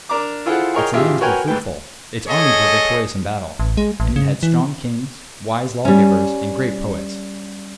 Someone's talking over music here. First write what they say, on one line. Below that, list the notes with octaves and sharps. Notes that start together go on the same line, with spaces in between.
Its lands were fruitful; its armies were victorious in battle; and it had strong kings, wise lawgivers, and great poets.
D4 A#4 A#5 D6
E4 F4 G#4 A4 C5 F#5
G#4 A#4 C#5 D#5 G5
A1 F4 G4 G#4 E5
F#4 A#4 B4 C#5 G5 G#5
G#2 A3 B4 G5
G#4 A4 C#5 D#5
A1
G#3
A1
C#3
E3
G3 C#4